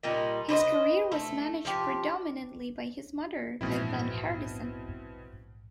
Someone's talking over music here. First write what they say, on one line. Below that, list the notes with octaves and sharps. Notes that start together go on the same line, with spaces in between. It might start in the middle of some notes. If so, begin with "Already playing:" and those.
His career was managed predominantly by his mother, Bethann Hardison.
A#2 G3 D#4
B4 C5 D5 D#5
A3
F3 G4
A#1 E2 G#2 B2 C4 E4